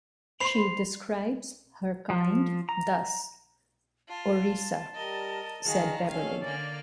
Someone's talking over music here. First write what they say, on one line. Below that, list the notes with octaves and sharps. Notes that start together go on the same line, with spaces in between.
She describes her kind thus: "Orisa," said Beverley.
C5 B5 C6 C7 F7
F3
A#5
F4 A5
G3 A#4 D#5
D#3 F#4 G#4 F5 A#5
C#4 G#4 A4 F5
D3 A#3 D5 F6 A6